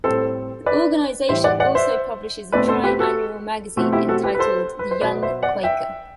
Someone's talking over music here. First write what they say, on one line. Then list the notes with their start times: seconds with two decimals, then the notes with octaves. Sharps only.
The organization also publishes a tri-annual magazine entitled The Young Quaker.
0.04 A2 G3 C4 A4 C5
0.66 B4 D5
1.29 A2 E3 G3 C5 E5
1.44 D5 F#5
1.60 D5 F#5
1.75 C5 E5
2.52 E2 B2 A3 C4 B4 D5
2.68 A4 C5
2.84 G4 B4
2.99 F#4 A4
3.77 B2 A3 C4 F#4
3.92 E4 G4
4.09 F#4 A4
4.23 G4 B4
4.35 B4
4.39 A4 C5
4.79 B4
4.91 C5
5.01 B2 F#3 B3 B4 D5
5.23 C5 E5
5.43 D5 F#5
5.63 E5 G5